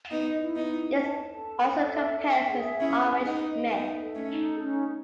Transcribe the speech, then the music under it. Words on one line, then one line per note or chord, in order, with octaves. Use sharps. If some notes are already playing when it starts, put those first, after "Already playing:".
This also compares with Irish myth.
B3 D#4 D#5
E4
B3 D#4
E4
A5
A4
A4
E5
E5
G#4
C#4 E4 G#5
G#4
B3 D#4
D#5
B3 D#4 E5
A4
A3 C#4
D#4
C#4